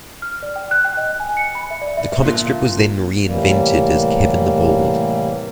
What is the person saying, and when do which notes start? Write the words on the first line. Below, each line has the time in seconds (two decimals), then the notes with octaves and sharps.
The comic strip was then reinvented as Kevin the Bold.
0.22 F6
0.43 D5
0.56 G5
0.71 F#6
0.85 G5
0.97 D#5
1.20 G#5
1.37 C#7
1.55 B5
1.70 E5
1.82 D5
1.97 E5
2.22 A#2 D3 D4 F4
3.24 A2 C3 E3 G3 A#3